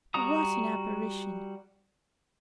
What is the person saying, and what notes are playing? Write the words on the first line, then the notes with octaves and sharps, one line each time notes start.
What an apparition!
G3 F#4 A#5 D#6